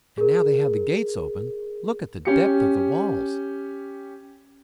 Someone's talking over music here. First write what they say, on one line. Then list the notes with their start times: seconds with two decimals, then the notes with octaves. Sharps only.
And now they have the gates open, look at the depth of the walls.
0.18 G#4 A#4
2.25 C#4 G4 C#7